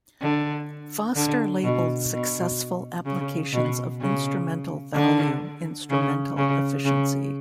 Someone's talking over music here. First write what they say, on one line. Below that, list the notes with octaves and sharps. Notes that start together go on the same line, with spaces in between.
Foster labeled successful applications of instrumental value instrumental efficiency.
D3
D3
B2
B2
C#3
B2
C#3
D3
C#3
C#3
C#3